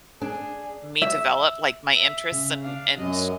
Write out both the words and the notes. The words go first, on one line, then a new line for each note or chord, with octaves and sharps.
me develop like my interests and and
D4 G#4
E5
E5
C#3
D4 F5
F#2 F#3 D#5